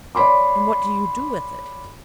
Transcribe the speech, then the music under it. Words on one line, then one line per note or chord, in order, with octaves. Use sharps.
"And what do you do with it?"
C#5 D5 B5 C6 D6